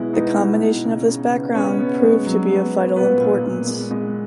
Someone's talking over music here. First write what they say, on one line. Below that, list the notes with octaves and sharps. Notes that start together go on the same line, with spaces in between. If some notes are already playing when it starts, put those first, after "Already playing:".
The combination of this background proved to be of vital importance.
Already playing: B2 G#3 B3 E4
B3 D#4 D#5
B2
B2
C#3
C#3
B3
B3 C#4 C#5
B3
G#3
F#3
B3
B3
A#2 B3 B4
A#2
A#2
G#3
G#3